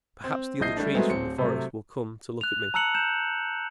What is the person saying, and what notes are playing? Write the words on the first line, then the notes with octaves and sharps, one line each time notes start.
Perhaps the other trees from the forest will come to look at me!
C4
A#1 E4 D#5 G6 C7
G3 A3 D4
F#3 G#3 A3 B3 C4
D1 C4 C#7
C3 F#3 A3
F#6 F7
A5 A#5 E6 F#6 C#7 F#7
G6 E7